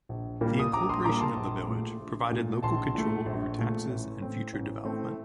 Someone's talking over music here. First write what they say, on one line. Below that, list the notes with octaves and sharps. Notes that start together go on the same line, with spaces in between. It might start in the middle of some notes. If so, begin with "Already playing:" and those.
The incorporation of the Village provided local control over taxes and future development.
A#1
A#2 G3 A#3
D#6
A#1 A#5 D6
C6 D#6
A#2 G3 A#3 A#5 D6
A5 C6
A#1
A#2 A3
A#1
A#2 A3
A#1 A5 C6
A#2 A3
A#1
A#2 A3
A1
A2 A3 C4
A1
A2 A3 C4